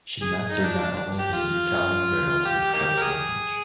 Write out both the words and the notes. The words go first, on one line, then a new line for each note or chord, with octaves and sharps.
She mastered not only the Italian but also the French language.
G#4
D#4
D4
D4
D4
G4
F4
G4
A#3 D#4 G4
A#4
G#4